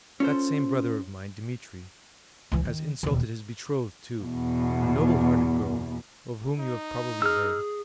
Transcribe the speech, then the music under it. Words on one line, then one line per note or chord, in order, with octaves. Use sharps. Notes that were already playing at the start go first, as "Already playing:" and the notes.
That same brother of mine, Dmitri, has insulted his betrothed, too, a noble-hearted girl of whom you have probably heard.
C#4 F4 A4 C5
C#2 E3
D#3
E1 D#2
E2 B2
D#4
G#4 E6 F6